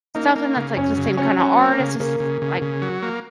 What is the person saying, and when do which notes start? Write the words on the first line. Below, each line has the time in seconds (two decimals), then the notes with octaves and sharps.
something that's, like, the same kind of artist, s s like,
0.15 A#3 D#4
0.36 A#3
0.56 C#3
0.77 F#2 C#4
0.97 C#3
1.17 F#3 C#4
1.38 F#3 C#4
1.59 A#3
1.80 C#3
2.00 C#3 A#3
2.20 C#3
2.42 C#3
2.62 C#3
2.82 F#3
3.03 A#3